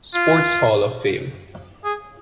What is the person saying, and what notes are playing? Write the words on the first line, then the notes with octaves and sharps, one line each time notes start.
Sports Hall of Fame.
F4
G#4